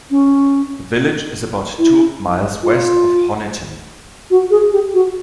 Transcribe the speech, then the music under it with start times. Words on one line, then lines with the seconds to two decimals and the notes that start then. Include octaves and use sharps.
The village is about two miles west of Honiton.
0.11 C#4
1.78 E4
2.63 F4
4.30 F#4
4.51 G#4
4.72 G4
4.94 F#4